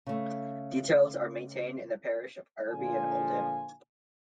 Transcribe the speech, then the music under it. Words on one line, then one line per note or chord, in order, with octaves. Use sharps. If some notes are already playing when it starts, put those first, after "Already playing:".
Details are maintained in the parish of Ireby and Uldale.
C#3 A3
A#2 D3 F3 F4 G#5